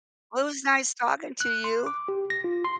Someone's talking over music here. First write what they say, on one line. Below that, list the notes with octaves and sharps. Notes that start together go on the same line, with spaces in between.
Well, it was nice talking to you.
F#6
C6
D6
G4
A#6
F4
C6